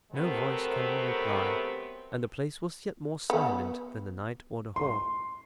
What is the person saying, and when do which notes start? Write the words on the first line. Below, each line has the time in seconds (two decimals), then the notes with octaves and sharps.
No voice came in reply, and the place was yet more silent than the night or the hall.
0.12 C3 F#3 A3 B3 C4 A#4
3.30 B3
4.76 C6